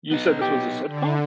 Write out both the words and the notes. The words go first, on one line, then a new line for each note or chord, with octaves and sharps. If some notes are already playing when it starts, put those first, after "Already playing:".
You said this was a sitcom?
B3 D#4
G4
D3